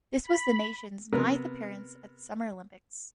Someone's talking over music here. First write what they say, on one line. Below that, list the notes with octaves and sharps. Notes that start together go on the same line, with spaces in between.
This was the nation's ninth appearance at the Summer Olympics.
B5
C3 B3 A#4 B4